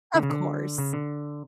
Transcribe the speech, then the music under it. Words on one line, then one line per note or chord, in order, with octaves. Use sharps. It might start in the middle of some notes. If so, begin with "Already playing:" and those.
Of course.
D3
C#3
D3
C#3
D3